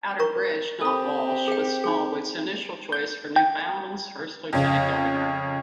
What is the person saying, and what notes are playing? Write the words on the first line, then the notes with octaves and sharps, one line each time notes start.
Outerbridge, not Walsh, was Smallwood's initial choice for Newfoundland's first lieutenant-governor.
A#4 A#5 C#6
C4 G4 A4 B5
G#4 G5
D#4 G#4
G6
G5
F2 C#3